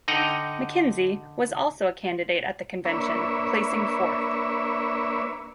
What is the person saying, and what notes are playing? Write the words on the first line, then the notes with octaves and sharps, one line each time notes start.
McKenzie was also a candidate at that convention, placing fourth.
D3 D#4 D#5 F#5 G5 A#5
A#3 D4 B4 C#5 E5